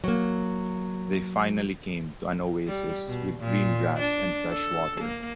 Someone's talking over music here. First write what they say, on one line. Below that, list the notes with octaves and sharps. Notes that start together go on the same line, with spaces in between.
They finally came to an oasis with green grass and fresh water.
F#3 A#3
G3
B2
A#2
D4
A4
A#3